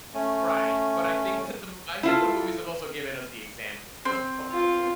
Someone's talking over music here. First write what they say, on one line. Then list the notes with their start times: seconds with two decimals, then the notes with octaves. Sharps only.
Right, but I think that the mo I think the movies have also given us the examples, though.
0.14 A3 C#4
2.03 E4 F4 A4
4.05 C4
4.51 F4